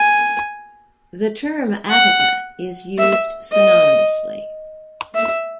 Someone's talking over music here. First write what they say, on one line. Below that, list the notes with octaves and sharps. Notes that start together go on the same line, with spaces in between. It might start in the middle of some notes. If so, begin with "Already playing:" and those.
The term attacca is used synonymously.
Already playing: G#5
F#5
E5
D#5
E5